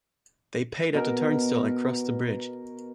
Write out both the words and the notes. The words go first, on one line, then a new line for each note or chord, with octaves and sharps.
They paid at the turnstile and crossed the bridge.
B2 A#4